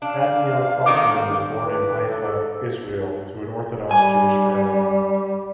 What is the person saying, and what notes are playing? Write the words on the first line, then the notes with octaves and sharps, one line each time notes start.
Admiel Kosman was born in Haifa, Israel to an Orthodox Jewish family.
D4 F5
D3 D#3 C4 D6
B4
A4
G3 G#5